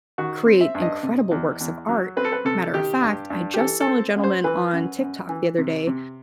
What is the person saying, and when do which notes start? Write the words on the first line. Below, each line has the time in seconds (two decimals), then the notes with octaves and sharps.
create incredible works of art. Matter of fact, I just saw a gentleman on TikTok the other day
0.18 D#3 F#4
0.46 C4
0.61 E5
0.75 G2
0.82 D#5
1.03 C3
1.31 E2
1.60 E2
1.89 F#3
2.17 C4 B4
2.25 A4
2.32 B4
2.45 C3 A4
2.73 D#3 G4
3.02 G2
3.30 G2
3.54 G4
3.58 E3 A4
3.81 A4
3.87 C4
4.16 F#2
4.24 C5
4.44 E3 B4
4.73 F#2
5.01 F#2
5.29 E3
5.58 C3
5.87 C3